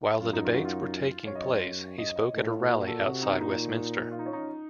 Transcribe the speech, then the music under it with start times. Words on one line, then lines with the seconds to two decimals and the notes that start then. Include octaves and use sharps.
While the debates were taking place he spoke at a rally outside Westminster.
0.20 F#2 F4
0.33 D#4
0.45 F4
0.54 F#4
0.65 F4
1.27 F#2 C#5
1.35 D#5
1.43 C#5
1.98 D#5
2.16 D#5
2.34 A2
2.51 F4
2.69 A#2 F#4
2.87 A4
3.04 C3 F#4
3.23 D#4
3.40 A#2 D#4
4.11 F4
4.19 D#4
4.26 C#4
4.33 D#4